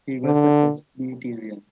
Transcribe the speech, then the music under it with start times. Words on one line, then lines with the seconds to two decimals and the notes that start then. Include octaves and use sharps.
He was a Presbyterian.
0.24 D3